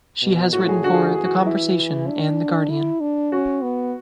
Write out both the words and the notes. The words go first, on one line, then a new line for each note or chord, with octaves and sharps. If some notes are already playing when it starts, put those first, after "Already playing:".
She has written for "The Conversation" and "The Guardian".
B2
A2 F#4
G#4
D3 F#4
G#4
F#4
E3 G#4
F#4
E4
D4
E4
D4
C#4 F#4
B3